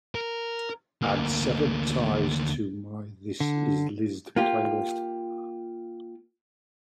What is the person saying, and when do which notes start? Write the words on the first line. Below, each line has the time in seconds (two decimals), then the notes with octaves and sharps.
Add severed ties to my this is liszt playlist.
0.15 A#4
1.02 D2 A#3
3.40 D3
4.36 A#3 F4 G4